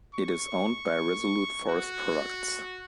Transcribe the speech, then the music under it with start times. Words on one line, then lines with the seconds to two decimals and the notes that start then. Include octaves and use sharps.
It is owned by Resolute Forest Products.
0.14 C#6
1.69 F#4